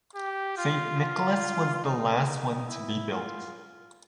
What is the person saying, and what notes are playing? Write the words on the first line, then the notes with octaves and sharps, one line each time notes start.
St Nicholas was the last one to be built.
G4
F4
F4
D#4
D#4
E4
F4